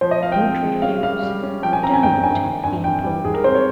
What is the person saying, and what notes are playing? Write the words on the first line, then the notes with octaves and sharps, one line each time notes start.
"Don't refuse; don't," he implored.
F3 C5
D#5
F3 F5
G5
C4
G#3
C#4 F5
G3 F5
G3
C#4
F3 G5
G#5
C4 A#5
G#5
G2 G5
G2 G#5
D#3
G2 G#5
G2 G5
G3
G#2 G#4
A#4
C4 C5
C#5